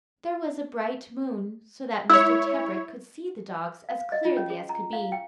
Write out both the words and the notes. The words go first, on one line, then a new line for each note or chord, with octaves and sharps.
There was a bright moon, so that Mr. Tebrick could see the dogs as clearly as could be.
E4 C#5 E6
F5
D#5
F4
C#4
G#4
A#5
F5
G5